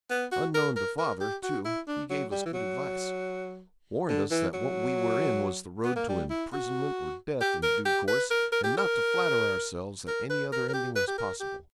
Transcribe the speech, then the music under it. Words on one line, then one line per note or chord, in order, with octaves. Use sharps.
Unknown to father, too, he gave us good advice, warned us that what we were in was the road to imprisonment or death in due course, and not to flatter ourselves that any other ending was possible.
B3
F#4
A#4
A#4
A#4
G4
F#4
E4
D4
F#3
G3
E3
F#3
D3
E3
F#3
B3
A#3
G3
E4
F#4
G4
A#4
G4
B4
A#4
A#4
G4
A#4
A#4
B4
A#4
A#4
G4
B4
G4
A#4
G4